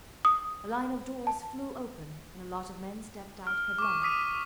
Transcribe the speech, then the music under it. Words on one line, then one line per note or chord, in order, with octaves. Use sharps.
A line of doors flew open and a lot of men stepped out headlong.
D#6
A5
F6
C#6 D6
D6 D#6 B6 D#7